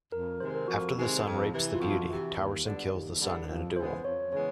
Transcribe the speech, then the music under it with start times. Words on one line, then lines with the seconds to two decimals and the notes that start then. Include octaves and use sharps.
After the son rapes the beauty, Towerson kills the son in a duel.
0.12 F2 A#4
0.40 C3 D#3 G#3 C4 C5
0.55 A#4
0.68 F2 F#4
0.96 C3 D#3 G#3 C4
1.24 F2
1.52 C3 E3
1.75 F4
1.80 F2 F#4
2.08 C3 E3
2.36 D#2
2.64 D3 G3 B3 D4
2.93 D#2
3.20 D3 G3 B3 D4
3.48 F2
3.76 C#3 E3 G#3 B3 C5
4.04 F2 C#5
4.33 C#3 E3 G#3 B3 C#5